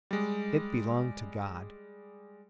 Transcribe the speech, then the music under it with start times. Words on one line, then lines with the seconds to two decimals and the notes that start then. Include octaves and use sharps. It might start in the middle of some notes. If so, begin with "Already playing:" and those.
It belonged to God.
0.11 G3 G#3